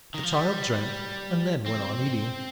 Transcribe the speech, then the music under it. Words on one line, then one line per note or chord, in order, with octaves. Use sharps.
The child drank, and then went on eating.
D#3
F3
G3
C4